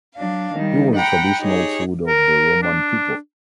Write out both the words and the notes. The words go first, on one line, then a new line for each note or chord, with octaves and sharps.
It was a traditional food of the Roman people.
F#3 D4 F5
D#3 G3
F#5 G5 A#5 B5
D#4 G4 G#4 C#5
A#4
D4